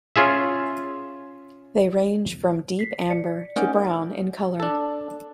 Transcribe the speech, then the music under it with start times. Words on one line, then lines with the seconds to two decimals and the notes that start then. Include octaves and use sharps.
They range from deep amber to brown in colour.
0.16 C#4 F4 G#4 E5
2.79 B6 C7
3.10 D5 C#7
3.56 C#4 D#4 A#4 D5 F#5 G#5
4.60 D4 A4